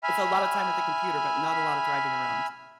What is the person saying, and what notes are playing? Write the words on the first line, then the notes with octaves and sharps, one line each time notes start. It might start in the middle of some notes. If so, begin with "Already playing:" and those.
it's a lotta time at the computer, but not a lot of driving around.
E5 G#5 B5 F6